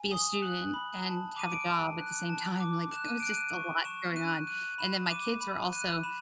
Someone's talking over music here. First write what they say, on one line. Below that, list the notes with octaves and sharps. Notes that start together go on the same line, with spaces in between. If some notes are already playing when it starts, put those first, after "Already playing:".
be a student and have a job at the same time. Like, it was just a lot going on, and then my kids were also
Already playing: G#5
D#6 G7
F#6 F#7
B5 F#7
A5
D6 D#7
D7
A5
F#6
A5
D6
F#6 E7
D#7
F#6 D7
D#7
C#6
C#6 E7
F#6 D#7
F#6 D#7
B5 E7
E7
D6 D#7
B5
F#6 D#7
B5 E7